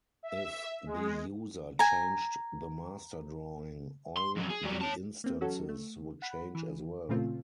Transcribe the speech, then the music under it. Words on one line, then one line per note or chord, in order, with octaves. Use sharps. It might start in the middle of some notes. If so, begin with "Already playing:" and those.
If the user changed the master drawing, all the instances would change as well.
E5
G#3
G#5 A#5
C6
F2 F#3
G#4
F#3 G3
C#5 A5
A#3 C4
F#3 C#4 F#4 A4
A3
F#5 B5
E3
A#2 C#3 F3 A3 C4 F4